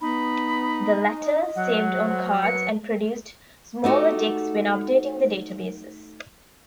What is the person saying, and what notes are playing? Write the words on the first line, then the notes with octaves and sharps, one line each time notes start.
The latter saved on cards and produced smaller decks when updating the databases.
B3 D#4 B5
D#5
F#3 F#5
C5
B4 C#7
A3 D#4 F#4 G4